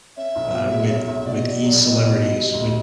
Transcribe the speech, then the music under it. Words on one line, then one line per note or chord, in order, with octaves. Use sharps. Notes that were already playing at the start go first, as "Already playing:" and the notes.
uh, with with e-celebrities, with
C#4 E5
B1
B2
G#3
C#4
B1
B2 D5
D#5
B2 D5
D#5
F#3 D5
B3 D#5
B2
B2
G3
D2